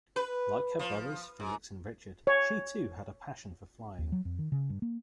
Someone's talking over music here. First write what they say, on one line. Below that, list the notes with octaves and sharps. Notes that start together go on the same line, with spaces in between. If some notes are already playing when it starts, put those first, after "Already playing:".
Like her brothers, Felix and Richard, she too had a passion for flying.
B4
F3
G#2
C#5
D#2
F#3
F2
D#3
C#3
G2
A#3